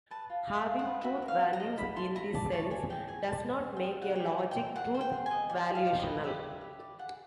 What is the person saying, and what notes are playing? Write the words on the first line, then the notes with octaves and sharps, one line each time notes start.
Having truth values in this sense does not make a logic truth valuational.
B4 A5
F4
G#4
E5
F4
F#5
B4
F#4 E5
A#4
F5
F#4
A#5
D#5
E4 B5
A4 C6
E4 A#5
D5 A5
C#5 A5
C#5 G#5
G#4 G5
G#4 G#5
G#4 A5
C5
G#4
G5
D#5
D#4 F#5
G4 G5
G#5
D#4
G5
C5
G#4 F#5
C5
G5
G#4
D#5 G#5
D5 G#5
G4
F5
D#4
D#5
B4
G4 E5
B4
G4
D5
G#4 F#5